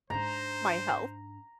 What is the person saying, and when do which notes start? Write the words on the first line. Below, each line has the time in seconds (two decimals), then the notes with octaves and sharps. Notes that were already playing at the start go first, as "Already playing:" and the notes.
my health.
0.10 G#2 D4 C5 A#5